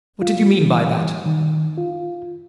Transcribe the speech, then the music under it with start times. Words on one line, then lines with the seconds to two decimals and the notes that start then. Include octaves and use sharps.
What did you mean by that?
0.22 F4
0.41 G3
0.61 E3
1.26 D#3
1.78 F4